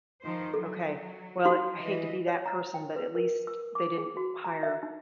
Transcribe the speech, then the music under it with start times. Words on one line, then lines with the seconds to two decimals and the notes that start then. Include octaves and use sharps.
Okay. Well, I hate to be that person, but at least they didn't hire
0.22 D#3 F3 C5
0.54 F#3 A4
1.46 F#4
1.79 E3 D#5
2.28 C#5
2.46 A#5
2.74 G5
2.96 B4
3.15 A#4
3.47 E6
3.75 D6
3.98 G#4
4.17 F#4
4.44 A#5
4.63 E5
4.83 D#4